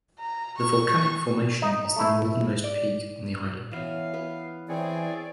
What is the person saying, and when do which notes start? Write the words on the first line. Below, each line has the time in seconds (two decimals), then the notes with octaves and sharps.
The volcanic formation is the northernmost peak on the island.
0.19 A#5
0.59 C#6
1.62 D#4
1.96 A3 E4
2.64 D5
3.71 E3 B3 C#4 F5
4.13 B3 B4
4.69 E3 C4 G#4 C#5 D5